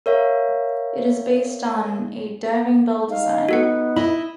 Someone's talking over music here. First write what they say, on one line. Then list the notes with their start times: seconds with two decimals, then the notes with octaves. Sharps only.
It is based on a diving bell design.
0.06 A#4 C#5 E5 F5
3.10 D#4 F5
3.49 B3 F#4 A4 F#5
3.97 E4 D#5 B5